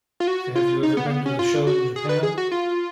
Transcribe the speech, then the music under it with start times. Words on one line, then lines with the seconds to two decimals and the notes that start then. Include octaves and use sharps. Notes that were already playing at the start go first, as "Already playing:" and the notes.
Have you ever been to the show in Japan?
0.20 F4
0.27 F#4
0.55 F4
0.83 D#4
0.97 B3
1.07 A#3
1.11 B3
1.26 C#4
1.39 F4
1.67 F#4
1.96 G#4
2.09 B4
2.23 G#4
2.38 F#4
2.52 F4